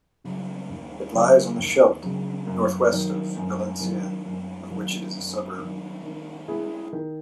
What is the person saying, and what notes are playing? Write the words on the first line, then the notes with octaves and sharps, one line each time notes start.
It lies on the Scheldt, northwest of Valenciennes, of which it is a suburb.
C#3 F#3
D#2
C#3 F#3
D#2
C#3 F#3
F#2
D#3 F#3
F#2
D#3 F#3
F#2
D#3 F#3
F#2
D#3 F#3
D#3
G#3 B3 E4 G#4
D#3